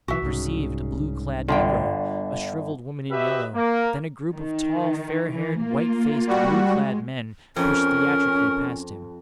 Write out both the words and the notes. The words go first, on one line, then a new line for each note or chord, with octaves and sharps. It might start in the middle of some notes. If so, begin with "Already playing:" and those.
He perceived a blue-clad negro, a shrivelled woman in yellow, then a group of tall fair-haired, white-faced, blue-clad men pushed theatrically past him.
B1 E3 F#4 E5
C2 G#2 C#3
G1 D3 F4 G5
F#4 G4 B4 D#5 E5
A#3
D#3
E3
A#3 F4
G3 F#4
G#3
F2 C#4 A#4